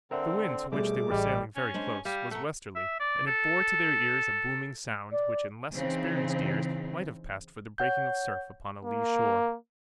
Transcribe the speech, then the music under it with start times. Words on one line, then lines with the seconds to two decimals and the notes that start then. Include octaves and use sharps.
The wind, to which they were sailing very close, was westerly, and it bore to their ears a booming sound which in less experienced ears might have passed for the breaking of surf upon a lee shore.
0.11 D3 C4 A#4 E5 F#5
0.72 B2 G3 A3 G#4 D6
1.11 A1 G3 D5 D#5
1.56 C#4
1.74 G#3 D4 C5
2.05 G3 F5
2.31 A3 F#5 A#5
2.76 E5
3.00 D5
3.27 A4
5.12 D5
5.74 C#3 E3 C4 D#4
7.78 C#5 F#5 G6
8.85 A#3